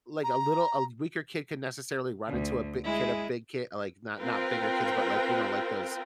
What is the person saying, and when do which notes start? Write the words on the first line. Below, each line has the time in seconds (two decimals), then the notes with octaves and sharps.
like, a little a weaker kid can necessarily run into a big kid a big kid, like not not bigger kids, but, like, you know, like, those,
0.24 A#5
2.29 D2
2.84 G#3 E4 G#4
4.18 C4 F4 A#4 B4 G5